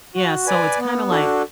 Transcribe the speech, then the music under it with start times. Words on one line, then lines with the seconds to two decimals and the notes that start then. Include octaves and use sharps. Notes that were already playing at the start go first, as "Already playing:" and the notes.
Yeah, so it's kinda like
0.15 F#4
0.47 B4 D5 G#5
0.79 B3
1.11 D4 F#4 A4